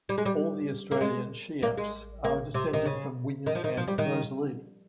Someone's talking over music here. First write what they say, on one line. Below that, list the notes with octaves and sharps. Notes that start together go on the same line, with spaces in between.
All the Australian Sheaffes are descended from William and Rosalie.
G3
G#3
G3
A#3
G#3
A#3
G#3
A#3
C3
D#3
C#3
D#3
F3
D#3
F3
G3
D#3